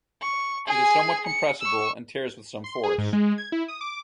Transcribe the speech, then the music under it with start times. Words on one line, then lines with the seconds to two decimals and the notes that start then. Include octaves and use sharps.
It is somewhat compressible and tears with some force.
0.22 C#6
0.67 G#4 G#5
1.27 C#7
1.61 C#6 E6
2.64 C6
2.83 G#4
2.98 G#2
3.13 G#3
3.38 G#6
3.52 E4
3.68 D#6
3.81 D6